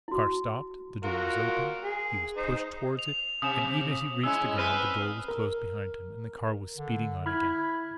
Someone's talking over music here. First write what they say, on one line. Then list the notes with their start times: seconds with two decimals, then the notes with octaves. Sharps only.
The car stopped, the door was opened, he was pushed toward it--and even as he reached the ground, the door was closed behind him, and the car was speeding on again.
0.08 E4 F#4
1.04 F4 F#4 A#4
1.84 G#4
2.37 D#4 C5
2.99 F7
3.42 C3 D#6 E7
4.24 G#3 C#4 E4 E6
4.58 C4 B4 F6 D#7
5.28 A#4
6.77 D3
7.26 E4 B5 F6 G#6